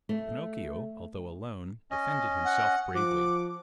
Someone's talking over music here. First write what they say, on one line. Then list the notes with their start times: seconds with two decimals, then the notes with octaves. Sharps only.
Pinocchio, although alone, defended himself bravely.
0.09 A3
1.91 C#4 D#5
2.45 F#5
2.95 F3 F#5 D6